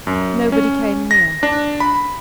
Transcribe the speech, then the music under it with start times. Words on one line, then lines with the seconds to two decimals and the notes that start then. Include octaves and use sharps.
Nobody came near.
0.07 F#2
0.52 C#4
1.11 A#6
1.43 D4
1.80 B5